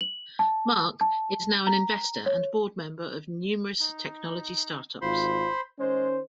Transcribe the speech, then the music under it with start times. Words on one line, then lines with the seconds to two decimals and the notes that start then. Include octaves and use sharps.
Mark is now an investor and board member of numerous technology startups.
0.01 F#7
0.39 A5
1.01 A5
1.67 A#5
2.26 C#5
3.80 D#4
5.01 G#1 F4 C5 B5 C6
5.79 D#3 G#3 C#4 C5